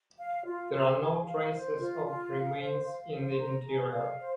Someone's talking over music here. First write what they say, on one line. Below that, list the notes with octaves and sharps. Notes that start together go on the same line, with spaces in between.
There are no traces of remains in the interior.
F5
F4
C5
G#4
F5
C5
F4
F4
F5
C5
F5
C5
A#5
G#4
F5
C5